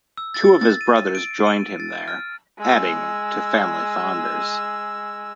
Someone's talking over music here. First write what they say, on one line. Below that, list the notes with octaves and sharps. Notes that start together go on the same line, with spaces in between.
Two of his brothers joined him there, adding to family founders.
E6
A6
A6
D#7
D7
D#7
A6
F6
G#3 E6